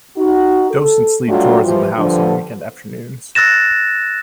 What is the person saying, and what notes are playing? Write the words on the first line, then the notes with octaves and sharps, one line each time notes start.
Docents lead tours of the house on weekend afternoons.
D#4 F#4
A4
F#3 G3 A3 D4 F4 F#4
E3 F3 G3
G2 D3 F3
E6 F#6 A6 A#6 E7